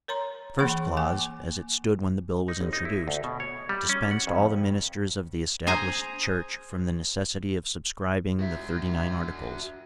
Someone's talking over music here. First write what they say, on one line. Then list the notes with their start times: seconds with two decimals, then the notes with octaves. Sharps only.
The first clause, as it stood when the bill was introduced, dispensed all the ministers of the Established Church from the necessity of subscribing the Thirty-nine Articles.
0.08 A#4 C#5 A#5 C6
0.59 E3 A#3 G#4 F#5 B5 C#6
0.97 A#3 G#5 D6
2.48 D#4
2.61 G1
2.73 D#4
2.85 E4
3.08 D2
3.24 B2
3.40 C#5
3.69 G3
3.89 C#4
4.11 F#5
4.27 F2
5.67 G#4 C5 G#5 A#5
8.39 F#4 E5